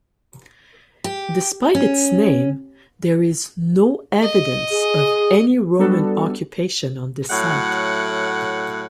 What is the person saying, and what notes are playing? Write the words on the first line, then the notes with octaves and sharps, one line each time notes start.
Despite its name there is no evidence of any Roman occupation on this site.
G4
C#4
D#5
G#4
G3 B3 D4 F#4 A4
A2 F#3 A3 F#5